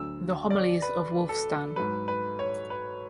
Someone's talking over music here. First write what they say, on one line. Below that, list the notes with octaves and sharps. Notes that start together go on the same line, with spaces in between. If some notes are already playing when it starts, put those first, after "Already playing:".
The Homilies of Wulfstan.
Already playing: D2 D3 F#3 E6
D5
B4
A4
G#2 F#3 B4
B4
C#5
B4